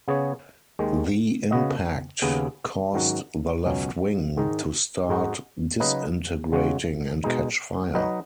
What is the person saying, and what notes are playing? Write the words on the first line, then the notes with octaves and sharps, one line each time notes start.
The impact caused the left wing to start disintegrating and catch fire.
C#3 B3 G#4 C#5
D#2 D#3 G#3
C#3 B3 F#4 D#5
D#2 C#3 B3 G#4
G#2 D#3 F#3 C#4 F#4
C#2 B2 F#3 C#4
G#2 D#3 G#3 D#4
G#2 G#3 D#4 F#4
C#3 F#3 D#4 B4 D#5
C#3 G#3 C#4 F#4
B2 G#3 D#4
F#3 D#4 B4 D#5